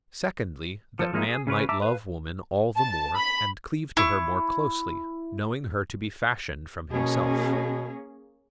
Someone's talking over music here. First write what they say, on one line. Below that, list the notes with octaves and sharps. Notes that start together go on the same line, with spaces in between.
Secondly, that man might love woman all the more, and cleave to her more closely, knowing her to be fashioned from himself.
F3 A4
F3 G#3 A#3 D#4 E4
G#4
C#3 C#4 B4 C#5
E5 A5 A#5 D6 E6
B4 F5
A5
B5
E4 C#6
B2 A#3 C#4 G#4